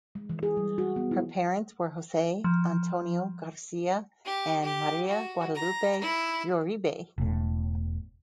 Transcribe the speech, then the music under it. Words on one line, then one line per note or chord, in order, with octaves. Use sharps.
Her parents were Jose Antonio Garcia and Maria Guadalupe Uribe.
G#3
E3
G#4
G3
F#4
B3
E4
F3
G4
G4
F#4
A#5
E4
E1 A2